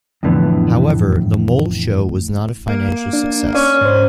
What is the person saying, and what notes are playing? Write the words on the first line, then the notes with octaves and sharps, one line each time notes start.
However, the Mole Show was not a financial success.
F2 A2 D3 E3 B3
A#3
D4
C#4 D5
G#2 C5